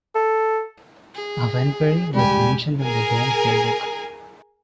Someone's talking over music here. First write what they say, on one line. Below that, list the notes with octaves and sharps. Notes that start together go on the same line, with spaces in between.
Avenbury was mentioned on the Domesday Book.
A4
G#4
E1 C#3 G3 G#3 G4 G#5
G#4 A#4 G#5